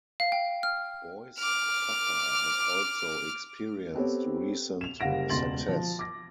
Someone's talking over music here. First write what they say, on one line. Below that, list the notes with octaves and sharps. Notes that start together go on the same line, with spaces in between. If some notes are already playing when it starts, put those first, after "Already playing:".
Boys' soccer has also experienced recent success.
F5
G5
F6
D6 F6
B3 C4 G4 A4 C#5
E7 F7
F#1 G3 F5 F#5 A#6 D7
E1 C#2 C6 A6 F#7
F3
D6 A#6